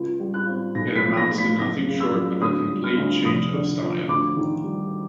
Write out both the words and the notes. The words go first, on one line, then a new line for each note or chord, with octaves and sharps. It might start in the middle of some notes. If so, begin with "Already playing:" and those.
It amounts to nothing short of a complete change of style.
Already playing: C#2
G3
F#6
C4
B1 A#6
B6
F3
A#6
A3
B6
F#1 A#6
C#3
E6
F#3
D2 D#6
G3
F6
D2
F1 D#6
D3
F3
D2 D6
D#3
G3